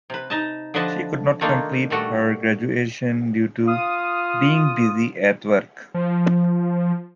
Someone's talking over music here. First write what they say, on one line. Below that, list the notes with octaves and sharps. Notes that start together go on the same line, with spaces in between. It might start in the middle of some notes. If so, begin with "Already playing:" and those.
She could not complete her graduation due to being busy at work.
C3 B4
D#4 D#5 A5
D3 F3 D4 B4 D#5 A5
D#3 A3 A#3 D4 D#4 F4
A#2 G3 A3 F#4
F4 F5 D#6
F3